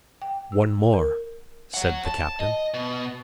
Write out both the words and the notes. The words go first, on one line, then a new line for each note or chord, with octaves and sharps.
"One more," said the captain.
G5
E6
A#4
C#5 F#5
A5
D#5
B2